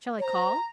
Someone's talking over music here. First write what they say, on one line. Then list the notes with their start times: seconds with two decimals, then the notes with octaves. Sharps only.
"Shall I call?"
0.19 C#5
0.24 C5 A#5